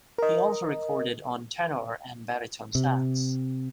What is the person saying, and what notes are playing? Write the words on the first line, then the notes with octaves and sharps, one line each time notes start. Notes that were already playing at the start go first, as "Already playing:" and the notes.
He also recorded on tenor and baritone sax.
A#4 D#5
C3